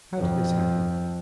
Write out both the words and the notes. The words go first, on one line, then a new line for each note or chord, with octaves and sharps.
How did this happen?
F2